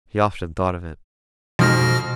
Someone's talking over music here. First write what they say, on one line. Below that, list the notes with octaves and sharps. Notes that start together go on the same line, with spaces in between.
He often thought of it.
F2 G#2 B2 F6 A#6